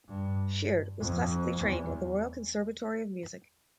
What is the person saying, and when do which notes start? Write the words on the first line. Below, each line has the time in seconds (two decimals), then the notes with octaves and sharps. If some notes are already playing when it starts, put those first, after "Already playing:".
Sheard was classically trained at the Royal Conservatory of Music.
0.08 G2
0.99 F2
1.59 E2